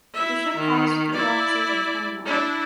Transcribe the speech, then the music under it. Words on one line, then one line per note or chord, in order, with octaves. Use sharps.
The ship housed three officers and twenty men.
E4 E5
D#3
E4 D5
D4 E4